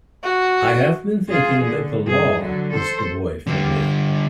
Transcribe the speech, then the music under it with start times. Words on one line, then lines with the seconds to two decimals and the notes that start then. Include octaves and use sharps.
I have been thinking that the law is the boy for me.
0.23 F#4
1.28 F4 G#4
1.62 D3
2.03 G2 G#4
2.41 D3 F#3
2.73 A4 C5
3.47 D3 G3